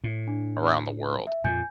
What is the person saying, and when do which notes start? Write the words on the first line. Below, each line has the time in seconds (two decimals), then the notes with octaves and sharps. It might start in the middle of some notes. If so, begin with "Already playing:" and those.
around the world.
0.04 A2
0.28 D4
1.27 E5
1.44 F2 A#2 G#5 G6